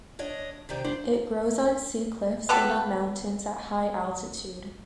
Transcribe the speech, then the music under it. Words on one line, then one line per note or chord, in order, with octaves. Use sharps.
It grows on sea cliffs and on mountains at high altitude.
D4 C#5 D#5
C3 D#3 D4 G4
G3 D4 C5
B3 G4 A4 B4